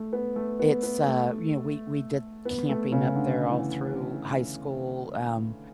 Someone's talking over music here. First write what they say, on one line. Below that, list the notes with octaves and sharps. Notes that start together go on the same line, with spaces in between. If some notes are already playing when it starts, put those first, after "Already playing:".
it's, uh you know, we we did camping up there all through high school, um,
Already playing: A3
B3
A3
B3
B3
A3
B3
A3
C#3
D3
E3